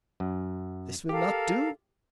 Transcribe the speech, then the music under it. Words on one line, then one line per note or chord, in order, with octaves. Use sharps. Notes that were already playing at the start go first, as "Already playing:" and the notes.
'This will not do.
F#2
G4 A4 A#4 F5